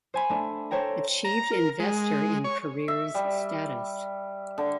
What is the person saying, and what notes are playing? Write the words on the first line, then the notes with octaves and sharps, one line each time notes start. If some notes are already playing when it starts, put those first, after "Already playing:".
Achieved Investor in Careers status.
C5 G#5 B5
A3 D4
A4 C5 C#5 G5 A#5
A#5
A#4
G#3
C#5
E5
G3
D3